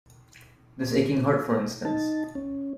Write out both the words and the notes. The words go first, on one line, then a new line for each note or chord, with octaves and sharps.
This aching heart, for instance.
D#4 A5
C#4